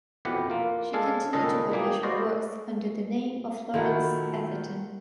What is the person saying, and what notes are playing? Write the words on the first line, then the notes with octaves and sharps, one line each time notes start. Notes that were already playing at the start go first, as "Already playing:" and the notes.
She continued to publish her works under the name of Florence Atherton.
F2 B2 E3 B3 G4 F#5
A#3 F4
G#3 D4 A4 F5 G#5
C#2 A#2 D#3 G3 A4 D#5
E3 F#3 A#3 G4 G#4
F#4 B4 C5 D5 D#5 F5
A#2 D#3 F#3 A3 E4 A4 A#4 F#5